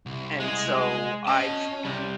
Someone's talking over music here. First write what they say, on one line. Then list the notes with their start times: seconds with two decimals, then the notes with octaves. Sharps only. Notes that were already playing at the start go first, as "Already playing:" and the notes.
And so, I've
0.06 C2
0.40 G#3 G#4
1.27 C#4 D#5 A5
1.85 C3 G3